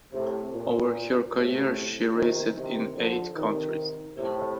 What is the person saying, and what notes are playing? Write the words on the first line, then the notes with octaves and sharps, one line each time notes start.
Over her career she raced in eight countries.
A2 C3
A#2
A2 C3
C3 D#3
C3 D#3
D3 F3
C3 D#3
A2 C3